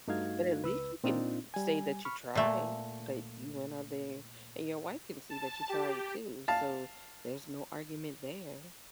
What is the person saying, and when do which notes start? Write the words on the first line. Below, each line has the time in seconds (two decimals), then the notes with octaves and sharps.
But at least you can say that you tried, that you went out there, and your wife can see that you tried too, so there's no argument there.
0.07 G2 A3 D#4 F#4 F5 G#6
0.62 C#2 B4 E6
1.04 A#2 C4 D4 D#4 F4
1.54 G3 G#5
2.05 B5 C#6 F6
2.35 A#2 A3
5.30 A5
5.69 G4
6.48 F5 A5